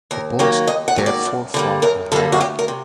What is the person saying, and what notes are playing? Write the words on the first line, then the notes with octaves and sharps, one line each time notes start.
The bones therefore form a hierarchy.
D#2 A#4
D#3 F#3 A#3 G4
D#2 D#5
F#5
D#3 F#3 A#3
D5
F#2
D3 G3 A#3
F#2 A#4
D3 G3 A#3 A4
F#4
D2 G4
A#4
C3